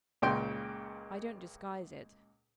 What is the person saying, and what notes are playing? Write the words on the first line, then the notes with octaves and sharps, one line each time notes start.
I don't disguise it.
C#2 A#2 C#3 G5 C6